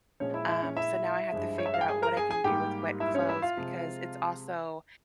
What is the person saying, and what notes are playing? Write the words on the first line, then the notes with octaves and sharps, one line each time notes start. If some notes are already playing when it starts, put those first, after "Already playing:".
um, so now I have to figure out what I can do with wet clothes because it's also
A#2 F3 G#3 C#4 C#5
E4 E5
E4 E5
C#4 C#5
E4 E5
G2 F3 G#3
C#5
E5
F5
G5
G#4 G#5
A#4 A#5
G#4 G#5
G#4 G#5
G#2 G3 A#3 G4 G5
E4 E5
C#4 C#5
E4 E5
F4 F5
C3 F3 G#3